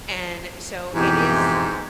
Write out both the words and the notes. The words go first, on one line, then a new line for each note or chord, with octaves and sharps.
and, so, it is
F2 G#2 B2 E3 G4